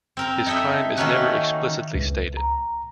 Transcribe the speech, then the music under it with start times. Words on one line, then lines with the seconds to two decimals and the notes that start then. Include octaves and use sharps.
His crime is never explicitly stated.
0.17 C4 A#4 A#5
0.46 D#4 E4 A4 D#5 E5
0.97 D#3 A3 A#3 C#4 F#4 B4
1.95 C#2
2.37 A#5